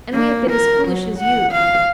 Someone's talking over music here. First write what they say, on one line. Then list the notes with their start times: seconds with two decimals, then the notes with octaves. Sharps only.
And we have been as foolish as you.
0.14 A#3
0.50 A#4
0.88 F#3
1.19 F#5
1.52 F5